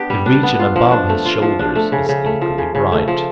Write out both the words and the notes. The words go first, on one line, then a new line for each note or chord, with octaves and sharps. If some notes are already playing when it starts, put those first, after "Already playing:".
The region above his shoulders is equally bright.
Already playing: B3 D4 G4
G3
D4
B3
F4
F3
D4
A3
F4
F3
D4
A3
C#3
C#3
A3
F3
C#3
C#3
A3
F3